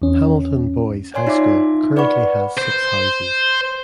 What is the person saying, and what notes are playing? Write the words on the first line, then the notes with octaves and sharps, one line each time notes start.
Hamilton Boys' High School currently has six houses.
E2 C#4
C#5 D5 G#5 C6 C7
D#4 F4 E5 C6 D6
B4 D5 F#5 B5 C#6
C5